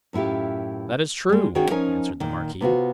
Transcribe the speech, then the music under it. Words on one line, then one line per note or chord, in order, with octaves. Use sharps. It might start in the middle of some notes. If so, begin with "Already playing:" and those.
"That is true," answered the marquis.
F#2 A2 E4 F4 G4
G3 G#3
D2 D#3 C#4 F#4 G#4 G5
F3 C#4 D#4 A#4 C#5 G#5
A#2 D#3
C3 B3 F4 F#4